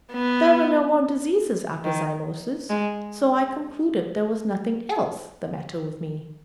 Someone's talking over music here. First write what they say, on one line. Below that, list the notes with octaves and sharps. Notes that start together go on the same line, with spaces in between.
There were no more diseases after zymosis, so I concluded there was nothing else the matter with me.
B3
D#3
G#3